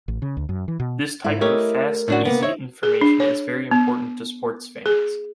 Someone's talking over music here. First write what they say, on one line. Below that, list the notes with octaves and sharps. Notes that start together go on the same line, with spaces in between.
This type of fast, easy information is very important to sports fans.
A1
C#3
D2
F#2
E3
B2
G#2 A3 E4
A3 E4 G4 A#4 C#5 D#5
A2 A3 C#4 D4 F#4
C3 A#3 B3
C5 C#5 D#5 E5
G#4
D4
C#5
B3
G#4